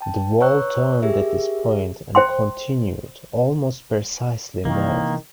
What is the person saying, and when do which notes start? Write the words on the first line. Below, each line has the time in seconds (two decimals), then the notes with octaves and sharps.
The wall turned at this point and continued almost precisely north.
0.01 G5 A5
0.40 B4 C#5 A#5 C#6 E6 F#6
1.02 G4 G#4 A#4 E5
2.15 C5 G5 C6
4.65 C3 D#3 E3 A#3